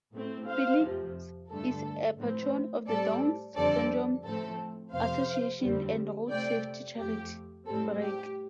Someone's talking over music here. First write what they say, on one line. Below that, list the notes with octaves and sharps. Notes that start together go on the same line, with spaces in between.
Phillips is a patron of the Down's Syndrome Association and road safety charity, Brake.
A2 A3 C4
C5 F5
F2 C3 F3
G2 D3 A3 A4
A2 F3 C4
A2 G3 C4 A4 D5
F2 D3 G3 C4 A4 D5
A2 F3 A3 C4 A4
F2 C3 F3 C5 F5
F2 D3 G3 C4
C3 A3 C4 D5 G5
F2 F3 A3 G4
A2 G3 C4 A4
G4